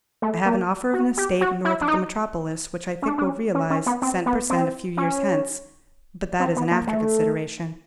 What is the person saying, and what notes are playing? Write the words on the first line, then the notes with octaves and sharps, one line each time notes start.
I have an offer of an estate north of the metropolis, which I think will realize cent per cent a few years hence: but that is an after consideration.
A3
A#3
F#4
G4
F#4
E4
D4
D#4
C#4
D4
D4
C#4
C#4
C#4
B3
C4
B3
C4
C#4
C4
B3
A#3
A3